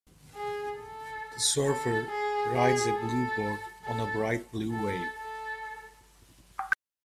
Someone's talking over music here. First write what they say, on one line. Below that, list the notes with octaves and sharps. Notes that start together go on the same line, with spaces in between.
The surfer rides a blue board on a bright blue wave.
G#4
A4
A4
G#4
G#4
A4
A4
A4
A4